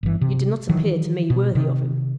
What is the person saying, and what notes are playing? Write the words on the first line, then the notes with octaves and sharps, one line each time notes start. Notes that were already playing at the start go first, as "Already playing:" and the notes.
You did not appear to me worthy of him.
G1 E3
C3
D#3 E3 F#3
B2
C3 D#3